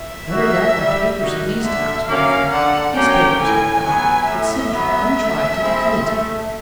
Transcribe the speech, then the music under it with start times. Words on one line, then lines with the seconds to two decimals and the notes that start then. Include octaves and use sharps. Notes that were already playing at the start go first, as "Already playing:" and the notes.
"Better that than papers in these times, my friend: these papers, if found, would send you, untried, to the guillotine."
Already playing: E5
0.31 A#3 D#4 F#4
0.76 G3
1.20 A#3 D#4 F#4
1.64 D3 E5
2.07 F#3 A#3 C#4 F5
2.51 D3 F#5
2.95 F#3 A#3 C#4 G5
3.40 A2 G#5
3.84 F#3 B3 G#5
4.28 A2 E5
4.72 F#3 B3
5.17 A3
5.61 C4 E4 G#4 C5
6.04 A3